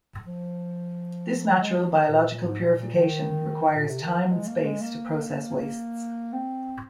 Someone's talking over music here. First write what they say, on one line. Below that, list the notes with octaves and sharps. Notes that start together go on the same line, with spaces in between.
This natural biological purification requires time and space to process wastes.
F3
G#3
F3
D#3
A#2
A#2
G#2
A#2
A#2
D#3
A#2
C3
D#3
F3
G#3
A#3
G#3
A#3
C4